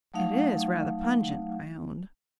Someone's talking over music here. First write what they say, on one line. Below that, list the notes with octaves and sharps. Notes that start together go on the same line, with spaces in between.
"It is rather pungent," I owned.
F#3 A3 D#4 F5 F#5